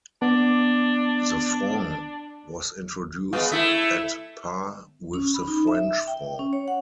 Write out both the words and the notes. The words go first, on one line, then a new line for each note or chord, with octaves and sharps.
The franc was introduced at par with the French franc.
B3 D4 D6
G#3 B3 F4
A3 E4 E5
C#4
B5
D#4
E5
G5
C#4
C#5
F#5